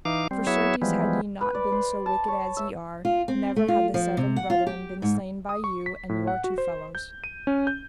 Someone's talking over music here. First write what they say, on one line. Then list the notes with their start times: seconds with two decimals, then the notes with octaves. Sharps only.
For certes had ye not been so wicked as ye are, never had the seven brethren been slain by you and your two fellows.
0.05 E3 D#4 F5 D6
0.31 G3 C4
0.47 F#3 B3 E4 G#4 C#5 E5
0.82 E3 F3 G3 G#3 B3
1.41 B4
1.55 D5
1.72 C5
2.06 A5
2.28 C#5
2.57 E5
3.05 F4
3.28 C4
3.56 A3
3.68 F4
3.94 F3
4.17 C3
4.36 F#5
4.50 F4
4.67 G4
5.02 G#2
5.49 D#6
5.64 C#6
5.86 B6
6.09 A2
6.27 F#5
6.44 F#4
6.58 C5
6.95 G6
7.24 D#7
7.47 C#4
7.67 G6